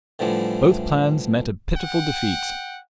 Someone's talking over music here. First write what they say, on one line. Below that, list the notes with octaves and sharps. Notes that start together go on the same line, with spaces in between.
Both plans met a pitiful defeat.
A2 D3 E3 F3 G3
F#5 G5